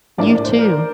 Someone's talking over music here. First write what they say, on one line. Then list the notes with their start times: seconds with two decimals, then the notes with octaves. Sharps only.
You too.
0.18 A2 F3 A#3 D4 D5
0.31 D5
0.45 C5
0.59 A#4